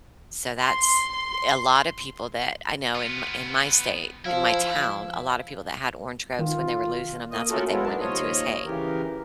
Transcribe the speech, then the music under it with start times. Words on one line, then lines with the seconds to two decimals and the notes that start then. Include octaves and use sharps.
So that's A lot of people that I know in my in my state, in my town, a lot of people that had orange groves, when they were losing 'em, that's what they went into was hay.
0.60 C6
2.95 B3 F4
4.25 F3 E4 F5
6.39 D#3 F4
7.31 A#3 D#5
7.50 A3 C#4 F4 F#4 A4 A#4
7.71 F#3 G#3 B3 E4 F4
7.85 G#2 D4 A#4 A5
8.00 D#2 F3 F4 C#5 D#5
8.65 C#3 E3 G4 A#4